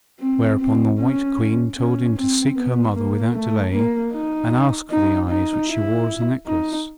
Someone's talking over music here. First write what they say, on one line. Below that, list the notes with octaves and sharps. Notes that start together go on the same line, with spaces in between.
Whereupon the white Queen told him to seek her mother without delay, and ask for the eyes which she wore as a necklace.
C4
C4
C#4
C#4
C4
B3
A#3
A3
A#3
D#4
D#4
D#4
E4
D#4